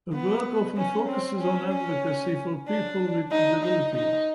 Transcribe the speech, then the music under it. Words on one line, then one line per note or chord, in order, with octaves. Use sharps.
Her work often focuses on advocacy for people with disabilities.
B3
C#4
C4
C#4
C#4
D4
D#4
D#4
D#4